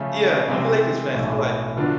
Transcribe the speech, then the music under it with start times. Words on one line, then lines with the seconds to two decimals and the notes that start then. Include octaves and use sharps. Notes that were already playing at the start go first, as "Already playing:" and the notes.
fan. Yeah, I'm a Lakers fan, so like
Already playing: C#3 F3 A3 C#4 F4
0.48 C3 E3 G#3 C4
1.13 B1 A2 E3 A3
1.77 D3 F#3 B3 D4 F4